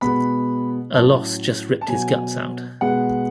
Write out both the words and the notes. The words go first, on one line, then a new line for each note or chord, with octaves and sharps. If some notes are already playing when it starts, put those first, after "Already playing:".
A loss just ripped his guts out.
B2 G#3 B3 B5
A2 F#3 C#4 A5
A5
B2 F#3 B3 G#5
B2 G#3 B3 F#5